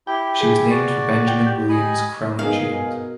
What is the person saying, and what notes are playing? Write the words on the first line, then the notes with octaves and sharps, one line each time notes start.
She was named for Benjamin Williams Crowninshield.
E4 G4 G5
G#4
F#4 D5
G5
G4
D#5 G#5 B5
B2 D#4 G#4 A#4 F5